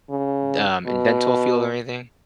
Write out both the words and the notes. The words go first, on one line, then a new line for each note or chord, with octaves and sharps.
d um, in dental field or anything?
C#3
B2